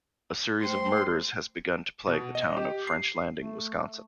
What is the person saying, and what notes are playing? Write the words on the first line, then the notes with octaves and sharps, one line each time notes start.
A series of murders has begun to plague the town of French Landing, Wisconsin.
A3 C5 G5 C6
B2
D#5
G4
C7
A3